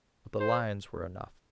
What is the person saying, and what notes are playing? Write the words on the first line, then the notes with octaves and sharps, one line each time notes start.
But the lines were enough.
C5